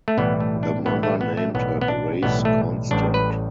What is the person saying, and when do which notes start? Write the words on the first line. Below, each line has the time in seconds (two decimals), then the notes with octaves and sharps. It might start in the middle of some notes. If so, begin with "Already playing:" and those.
Her mother named her Grace Constant.
0.08 A3
0.17 B1 A2 E3 G3 B3
0.40 A3
0.63 D4
0.86 B1 A2 E3 G3 B3
1.03 A3
1.21 B3
1.37 A3
1.55 B1 A2 E3 G3 B3
1.81 B3
1.88 D4
2.23 B1 A2 E3 G3 B3
2.45 A3
2.91 A1 A2 G3 D4
3.14 B4